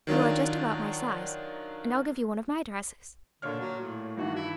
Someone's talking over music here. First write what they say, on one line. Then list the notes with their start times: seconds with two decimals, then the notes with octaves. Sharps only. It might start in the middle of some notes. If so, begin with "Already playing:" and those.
You are just about my size, and I'll give you one of my dresses.
0.07 D#3 F#3 D4 F4
3.42 A#2 D3 C#5 F6
3.60 F#3
3.80 A2
4.17 G2 D#3 E3 F#4
4.35 E4